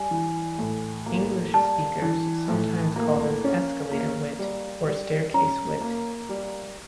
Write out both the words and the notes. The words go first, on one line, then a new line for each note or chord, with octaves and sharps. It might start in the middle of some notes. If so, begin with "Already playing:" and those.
English speakers sometimes call this "escalator wit", or "staircase wit".
Already playing: G3 G#5
E3
A2
A#3
G3 A5
E3
A2
A#3
C#4
A#3
G3
G3
C#4 A#5
A#3
G3